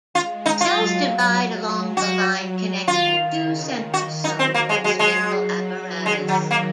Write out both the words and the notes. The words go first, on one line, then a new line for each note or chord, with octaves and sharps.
Cells divide along the line connecting two centrosomes of spindle apparatus.
G#3 F4
D#4
F#3 F4
F#3
F#4
D#3 F4
C#3
D#3
F#4
F#3 D#4
C4
A#3
F#3 G#3
G#3
G#3
F#3
D#3 G#3
F#3
A#3